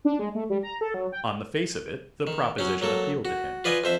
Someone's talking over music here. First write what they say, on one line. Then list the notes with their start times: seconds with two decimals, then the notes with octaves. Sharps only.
On the face of it, the proposition appealed to him.
0.05 D4
0.19 G#3
0.35 A3
0.50 G3
0.63 A#5
0.81 A4
0.94 F#3
1.12 G5
2.27 D#3
2.58 F#3 C#4
2.81 F#3 A#3 A4
3.25 F#4
3.64 F4 B4 D5 D#5 G#5
3.84 F2 C5 E5